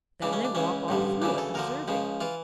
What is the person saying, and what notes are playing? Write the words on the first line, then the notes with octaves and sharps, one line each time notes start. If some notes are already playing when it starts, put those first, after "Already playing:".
"Then they walk all through it, observing."
C#2 C#3 E3 D4
C#4
D4
C#2 C#3 E3 C#4
A1 G2 D3 F3
D2 C#3 E3 D4
A4
D2 D3 F3 A#4
C#2 C#3 F3
E3 F4